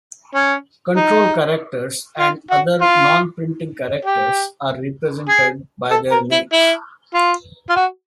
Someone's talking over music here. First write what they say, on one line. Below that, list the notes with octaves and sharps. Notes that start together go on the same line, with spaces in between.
Control characters and other non-printing characters are represented by their names.
C#4
D#4
F4
F#4
F4
G4
G#4
A4
A#4
E4
E4
F4
F4
F#4